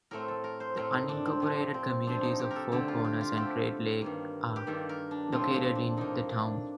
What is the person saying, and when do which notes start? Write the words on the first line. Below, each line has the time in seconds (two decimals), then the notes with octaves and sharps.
The unincorporated communities of Four Corners and Trade Lake are located in the town.
0.11 A2 A3 C4 A#4
0.28 A4
0.44 A#4
0.60 C5
0.76 A2 A3 C4 A#4
0.93 D#4
1.09 D4
1.26 C4
1.40 C3 F3 C4 D4
1.74 C4
2.07 C3 F3 C4 D4
2.23 D#4
2.39 G4
2.51 A4 A#4
2.72 D3 A3 C4 G4
2.88 F4
3.05 G4
3.21 F4
3.37 D3 A3 C4 G4
4.01 G2 D#3 A#3
4.56 G4
4.67 G2 D#3 A#3 A4
4.89 A#4
5.11 D4
5.32 A2 F3 A#3 C4
5.54 C4
5.75 D4
5.97 A2 F3 A#3 D#4
6.30 D4